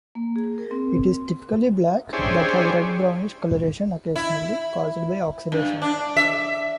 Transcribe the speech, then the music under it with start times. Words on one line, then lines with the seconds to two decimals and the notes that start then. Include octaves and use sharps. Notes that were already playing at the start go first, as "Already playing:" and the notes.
It is typically black but has red-brownish colouration occasionally caused by oxidation.
0.15 A#3
0.36 G#4
0.58 A#4
0.71 C4
2.13 C#4 D4 E4 G4 G#4 C5
4.16 E4
5.52 G2
5.82 D4
6.17 E5